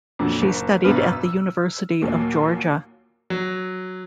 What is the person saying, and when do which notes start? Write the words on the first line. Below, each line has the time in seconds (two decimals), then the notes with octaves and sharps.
She studied at the University of Georgia.
0.19 F2 A#2 D3 F#3
0.42 F#1
0.84 G#1 F#2 B2 B4 F6
1.13 E6
2.02 D#2 A#2 F#3 A#3
3.30 F#3